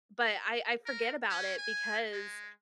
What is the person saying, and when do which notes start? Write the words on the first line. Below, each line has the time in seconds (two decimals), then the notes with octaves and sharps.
But I I forget about it because
0.86 A#4
1.29 C#4
1.58 G#5
2.12 G#3